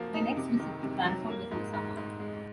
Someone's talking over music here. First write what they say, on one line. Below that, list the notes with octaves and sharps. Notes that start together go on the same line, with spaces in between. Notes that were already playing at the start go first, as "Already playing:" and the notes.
My next visit to Cranford was in the summer.
Already playing: F3 A#3 F#4
D#4
C3
D#3
C3
F#3
A#3
G#2
G#2
G#2
G#3